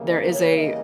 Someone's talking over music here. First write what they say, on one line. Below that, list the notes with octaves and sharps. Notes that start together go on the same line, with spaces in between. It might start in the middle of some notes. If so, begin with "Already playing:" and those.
There is a
Already playing: E2 C#3 E3 G3 A#3
D#5
C5
C#5
E5
D#5